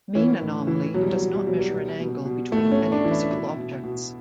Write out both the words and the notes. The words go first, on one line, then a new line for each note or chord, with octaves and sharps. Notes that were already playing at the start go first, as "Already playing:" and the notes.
Mean anomaly does not measure an angle between any physical objects.
E3 C#4
A2
E3
B2 F#3
G3
F#3
B2
G3
B2 F#3
G3
B2
B2
B2
A2 A3
C#4
A2
D4
E3
E4
B2
B2
B2